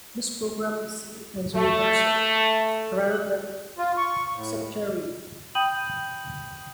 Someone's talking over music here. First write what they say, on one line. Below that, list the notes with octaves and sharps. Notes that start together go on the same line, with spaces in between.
This program is seen as universal, rather than sectarian.
A3
F4
C#6
A2
G5 B5 D#6 G6 D#7 F#7